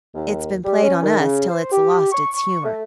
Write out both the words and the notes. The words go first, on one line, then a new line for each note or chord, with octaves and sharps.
"It's been played on us till it's lost its humor."
D#2
G3
C#4
D#3
C#3
C5
G4
C#6
A3